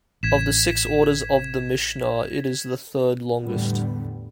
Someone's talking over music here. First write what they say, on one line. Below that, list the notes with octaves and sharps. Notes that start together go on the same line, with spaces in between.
Of the six Orders of the Mishnah, it is the third longest.
A1 G#6 B6 E7
E2 A2 D3 G3 B3